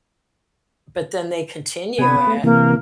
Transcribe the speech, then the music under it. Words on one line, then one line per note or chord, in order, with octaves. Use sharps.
but then they continue it,
C3 B3 G#5
A3
C3 E3 A#3